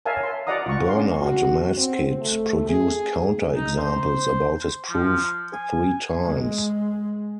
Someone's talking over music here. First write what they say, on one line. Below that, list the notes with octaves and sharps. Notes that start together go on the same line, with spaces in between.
Bernard Maskit produced counter examples about his proof three times.
A#4 C#5 E5 F5 G#5 A5
C6
F#4 D5 D#5 F#5 A#5 D#6
F4 C#6
C#4 D4 F5 C6
F#4
C4
A3
G#4
D#4
C5
F3
G#5
G#3